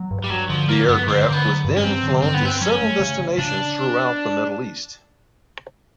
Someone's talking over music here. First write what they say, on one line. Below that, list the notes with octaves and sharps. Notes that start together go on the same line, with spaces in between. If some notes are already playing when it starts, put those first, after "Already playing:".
The aircraft was then flown to several destinations throughout the Middle East.
Already playing: F#3
G2
G3
G2 F#3
D3 F3
F#3 A#3
G2 B3
D3 C4
D3 A#3
B3
F#3
G2
C#4
F#3 C4
D3
G2 C4
B3
G2 C4
F#3 C#4
A3
C#3
C#3
C#3 D4